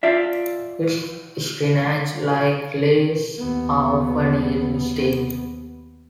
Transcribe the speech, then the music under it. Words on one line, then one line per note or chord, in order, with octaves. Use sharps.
Its spinach-like leaves are often eaten steamed.
F4 D5 E5
D#2 B3